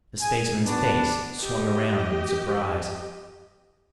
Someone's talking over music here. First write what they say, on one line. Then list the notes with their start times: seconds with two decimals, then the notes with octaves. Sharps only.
The spaceman's face swung around in surprise.
0.20 G#4 G#5
0.65 B3 D4 F#4
1.39 G4 D#5